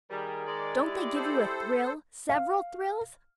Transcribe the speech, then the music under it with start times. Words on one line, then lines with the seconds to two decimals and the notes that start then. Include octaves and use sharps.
Don't they give you a thrill--several thrills?
0.11 D#3 G3 G#4 A#4
0.47 G#3 D5
0.82 E4 G4
1.15 A4 C5
2.29 F5